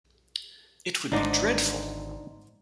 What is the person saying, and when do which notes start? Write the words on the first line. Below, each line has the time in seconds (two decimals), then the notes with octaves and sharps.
It would be dreadful!
1.12 G#1 G#2 D3 D4 D#4 C5 D5